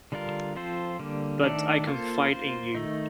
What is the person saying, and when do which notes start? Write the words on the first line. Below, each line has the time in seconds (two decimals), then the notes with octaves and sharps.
But I confide in you.
0.12 D3 G3 D4 F4 A#4
0.56 F3 C4 F4 A4 C5
0.99 D3 G3 A#3
1.43 D#3 A3 D4 A4 D5
1.87 A#3 F4 A4 C5
2.31 A#3 F4 C5
2.75 D#3 A3 D#4